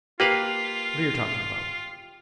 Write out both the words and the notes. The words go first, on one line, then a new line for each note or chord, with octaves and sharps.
What are yer talking about?
A#3 F4 G4 B4 F5